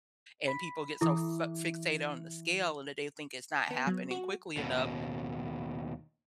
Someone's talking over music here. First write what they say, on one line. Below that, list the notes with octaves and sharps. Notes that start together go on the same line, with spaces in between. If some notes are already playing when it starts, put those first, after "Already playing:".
And people get so fa fixated on the scale and that they think it's not happening quickly enough.
B5
E3 E4 A4 D6
B3
F#3
F#4
D#2 B2